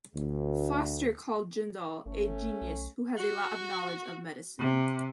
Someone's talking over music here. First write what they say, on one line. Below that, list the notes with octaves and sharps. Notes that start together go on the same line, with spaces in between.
Foster called Jindal a genius who has a lot of knowledge of medicine.
D2
G1 A3 C#4
B1
F#4
C3